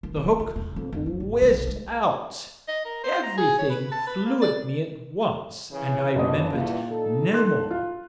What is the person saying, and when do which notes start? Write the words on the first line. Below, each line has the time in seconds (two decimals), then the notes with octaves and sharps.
The hook whizzed out, everything flew at me at once, and I remembered no more....
0.03 D#3
0.16 E3
0.40 F4
0.56 E1
0.76 F2
0.92 F2
1.06 F#3
1.20 G#1
1.42 B1
1.67 G#3
2.68 D#5
2.85 A#4
3.04 C5
3.23 A#5
3.38 G#4
3.59 C#5
3.70 B4
3.92 A5
4.07 B4
4.25 A#3
4.42 D5
5.71 C#3 E3
6.16 F#1 C#3 B3 D4 D#5
6.54 E2 G2 A#2
6.90 D#4 A4
7.34 C6 F#6
7.71 F4